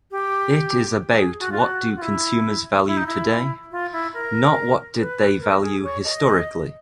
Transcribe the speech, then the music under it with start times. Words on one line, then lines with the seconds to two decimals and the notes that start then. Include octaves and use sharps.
It is about what do consumers value today, not what did they value historically.
0.11 G4
1.17 G#4
1.39 F#4
1.52 F4
1.60 F#4
1.96 F4
2.02 E4
2.87 E4
2.97 D#4
3.06 E4
3.72 F4
3.93 E4
4.14 A#4
4.99 B4
5.40 A#4
5.62 G#4
5.83 C#5
6.04 D#5